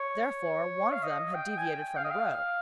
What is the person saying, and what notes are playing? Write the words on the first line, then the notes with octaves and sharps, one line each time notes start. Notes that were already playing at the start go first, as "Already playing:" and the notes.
Therefore, one of them had deviated from the road.
Already playing: C#5
F5
D#5
G5
G#5
G5
F5
D#5
F5